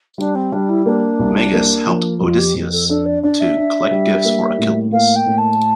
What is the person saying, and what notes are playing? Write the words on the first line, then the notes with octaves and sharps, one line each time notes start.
Meges helped Odysseus to collect gifts for Achilles.
G3 D4
C4
G3 D4
E4
A#3 D4
C2
A#3
F3
F2 F4
G4
F2
A4
D4 A4
D5
D4 D5
E5
D4
G3
A#3
A2
A#3 F5
G5
A2
A5